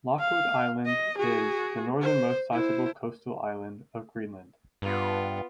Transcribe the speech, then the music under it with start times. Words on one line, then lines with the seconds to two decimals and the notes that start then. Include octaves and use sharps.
Lockwood Island is the northernmost sizeable coastal island of Greenland.
0.19 F5
0.86 D#5
1.18 F#4 G#4
2.01 C5
2.52 E4 C5
4.82 G2 B3 F4